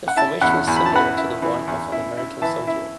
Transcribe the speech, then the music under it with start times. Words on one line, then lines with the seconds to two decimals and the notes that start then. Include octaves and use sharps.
The formation is similar to the one of an American soldier.
0.08 F#5
0.16 E4 E5 A5
0.41 E2 F#5 B5
0.67 E2
0.76 B5
0.86 A5
0.92 E3 F#5 B5
1.17 E4
1.42 E3
1.67 E2
1.92 E4
2.17 E4
2.42 E3 E5 A5
2.67 E4